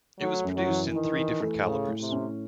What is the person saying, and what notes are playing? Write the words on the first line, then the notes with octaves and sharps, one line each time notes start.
It was produced in three different calibers.
F#3 A3
F#2
F#3
E3
D#3 E3
E3
A3
A2 C#3
A2
C3
C#4